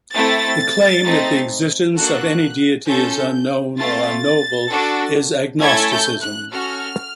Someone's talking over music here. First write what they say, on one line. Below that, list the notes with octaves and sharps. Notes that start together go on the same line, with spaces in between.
The claim that the existence of any deity is unknown or unknowable is agnosticism.
A3 C4 E4 A4 A6
A3 C4 D#4
A#3 D4 F#4 A4 F#6
C#4 F4 A4 G6
A3 C4 F4 A6
D4 F#4 A4
A3 C#4 E4 A4 G#6
G6
F#6
C#4 F#4 A4 F6